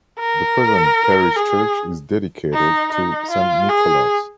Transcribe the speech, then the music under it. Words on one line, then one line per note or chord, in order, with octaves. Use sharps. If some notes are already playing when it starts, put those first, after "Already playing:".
The present parish church is dedicated to Saint Nicholas.
A#4
G#4
D#4
D#4
F4
G#4